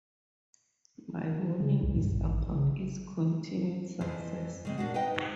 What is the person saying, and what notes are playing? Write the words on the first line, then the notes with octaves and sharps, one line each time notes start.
My warning is about its continued success.
C#3
B1
G2
A1
C#3
F2 E3 C5 G#5
C#3 G#3 C4
A#2 D4 F#4 F#5
D#4 B4 D#5 F#5 G5
G#2